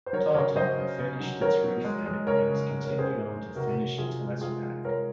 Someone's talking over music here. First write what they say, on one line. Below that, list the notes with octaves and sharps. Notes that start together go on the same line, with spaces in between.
Tautog finished its refit and continued on to finish its WestPac.
C5
F#3 A#4 C#5
C#3 A#4 C#5
F#3 C5 D#5
C#3
C#3
F#3
F#3 A#4 C#5
F#3
G#3
G#3
C#3 A#4 C#5
C#3
G#3
A#4 C#5
C#3
G#4 C5
C#3
C#3
C3 F#4 A#4
C3
C3 F4 G#4
G#3
G#3 F4 G#4
G#3
G#3 A#4 C#5